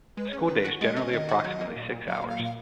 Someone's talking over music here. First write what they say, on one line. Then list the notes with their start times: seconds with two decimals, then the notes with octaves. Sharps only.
The school day is generally approximately six hours.
0.17 G#3 B4
0.28 C#4 C#5
0.38 B4
0.49 D#3
0.65 F#4
0.81 G#3 D#5
0.96 C#4
1.13 D#3
1.29 F#4
1.44 F#3
1.61 A#3
1.76 A#2
1.92 A#2
2.08 F#3 F5
2.24 A#3 F5
2.39 A#2 F5